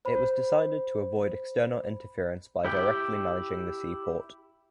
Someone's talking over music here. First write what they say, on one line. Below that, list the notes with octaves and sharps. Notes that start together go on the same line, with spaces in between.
It was decided to avoid external interference by directly managing the seaport.
C5 B5
E4 G4 G5